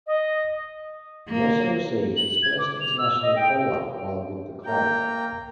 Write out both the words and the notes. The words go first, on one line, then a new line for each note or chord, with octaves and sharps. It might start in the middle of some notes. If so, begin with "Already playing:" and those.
He also received his first international call up while with the club.
D#5
A#3
F#7
G#6
D6
F7
E6
D#5
G5
A#3 G5 A#5